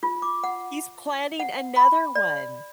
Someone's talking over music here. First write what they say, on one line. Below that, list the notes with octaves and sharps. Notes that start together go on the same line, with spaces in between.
he's planning another one!
F4
D6
F#5
F#5
B5
D5